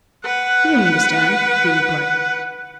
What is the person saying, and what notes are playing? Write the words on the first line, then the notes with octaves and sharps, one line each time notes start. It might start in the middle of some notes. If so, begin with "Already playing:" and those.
"You don't understand," he replied.
B4 F#5